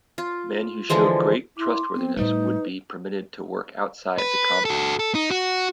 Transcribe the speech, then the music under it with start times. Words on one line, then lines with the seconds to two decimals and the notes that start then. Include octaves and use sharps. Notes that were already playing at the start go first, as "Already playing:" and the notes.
Men who showed great trustworthiness would be permitted to work outside the compound.
0.18 F4
0.90 D3 E3 F3 G#3
1.57 E4 C6 D6
1.95 B3 C4
2.17 A2 G3 A3 D#4 B4 C5
4.18 B4
4.65 F#4 A4
4.99 A4
5.15 D#4
5.31 F#4